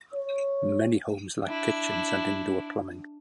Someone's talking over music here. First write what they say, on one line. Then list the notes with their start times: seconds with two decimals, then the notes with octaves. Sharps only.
Many homes lack kitchens and indoor plumbing.
0.13 C#5
1.47 D4 E4